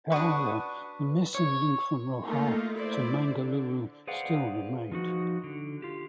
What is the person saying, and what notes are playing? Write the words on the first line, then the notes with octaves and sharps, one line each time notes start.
However, the missing link from Roha to Mangaluru still remained.
D4 F#4 B4 C#6 D#6
C#5
A3 A#3 D#4 F4
E4 C5 D5
D3
G#4 B4 C5 D5 F5 F#5
F3 D#4 F#4
D3
F4 G4